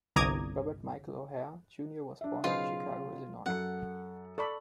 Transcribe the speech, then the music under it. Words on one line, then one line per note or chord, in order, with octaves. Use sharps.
Robert Michael O'Hare, Junior was born in Chicago, Illinois.
G1 C2 A#5 D6 D#6 G#6
D4 E5
B1 C#3 F4 G#4 B4 C5 D#5 F5
F#2 A4 F#5 C#7
A4 D5 B5 C#6